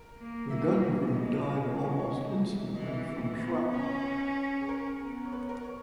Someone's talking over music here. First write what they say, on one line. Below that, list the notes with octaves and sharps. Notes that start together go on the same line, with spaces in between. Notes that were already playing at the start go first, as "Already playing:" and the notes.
The gun crew died almost instantly from shrapnel.
Already playing: A#4
A#3
A#3 E5
G#3 D#5
E3 C#5
D#5
C#5
D#5
E3
E3 D#5
B3 B4
C#4
G#4
A#4
B3
C#5
B4
A#4
C#5